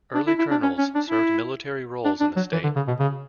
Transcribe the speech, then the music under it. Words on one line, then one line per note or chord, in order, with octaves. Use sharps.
Early colonels served military roles in the state.
D4
E4
E4
D4
C#4
C#4
D4
E4
D4
D4
F#3
E3
D3
C#3
B2
C#3